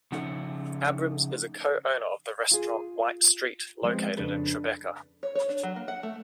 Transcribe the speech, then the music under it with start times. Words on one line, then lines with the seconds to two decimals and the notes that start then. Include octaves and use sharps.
Abrams is a co-owner of the restaurant White Street, located in Tribeca.
0.12 C#3 F3 A3 D#4 A4 F#5
2.52 F4 G#4
3.83 F3 G#3 B3 C4
4.18 F2 C#3 D4 A4 B4
5.23 C#5
5.35 C#5
5.49 D4
5.63 F#3
5.76 A#3
5.88 F#5
6.03 A3